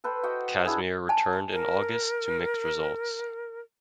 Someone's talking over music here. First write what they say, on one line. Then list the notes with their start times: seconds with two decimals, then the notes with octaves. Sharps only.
Kazmir returned in August to mixed results.
0.04 A4 B4 C5 G5
0.23 F#4 D#5 F#5 G5
0.65 D4 E4 G#4
1.09 G#5 A5
1.52 A#4